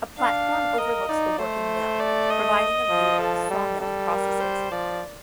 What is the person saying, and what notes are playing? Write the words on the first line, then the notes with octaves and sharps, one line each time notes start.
A platform overlooks the working mill, providing a view of the sawmilling processes.
D4 F5
A#4 D#5
D#4 D5
A3 C5
D5
D#5
F3
A4
G3
G3 A4
A#4
C5
F3 D5